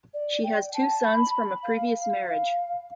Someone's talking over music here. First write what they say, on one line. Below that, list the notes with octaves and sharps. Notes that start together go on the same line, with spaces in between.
She has two sons from a previous marriage.
D5
G5
A5
B5
F5